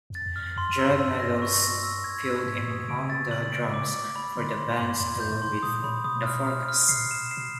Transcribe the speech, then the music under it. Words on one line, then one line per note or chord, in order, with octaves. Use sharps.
Jerad Meadows filled in on the drums for the band's tour with The Forecast.
F2 A6
E2
F#2 F6
F2
F#2 C6
E6
F#2
E6
G2
A#6
C#6
A#6
E6
G#6
E6
G#2 B6
G2 D#6
C3
C#3 D7
A6
F#7
D7
D6
D6
B5
D3 C6
C6
G2 C6
F2 C6
F#2 G6
A2
C6
A#2
A#2 D#6
A#2 B5
B2 D#6
F6
F6
F6
C3 C7
A#2
B2
E7
C7
B2